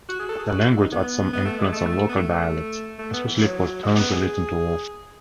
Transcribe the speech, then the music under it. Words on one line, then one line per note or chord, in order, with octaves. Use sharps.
Their language had some influence on local dialects, especially for terms relating to warfare.
F#4
G#4
A4
G#4
F#4
E4
D#4
B3
B3
A3
G#3
A3
B3
A3
A3
B3
E3
F#3
G#3
B3
G#4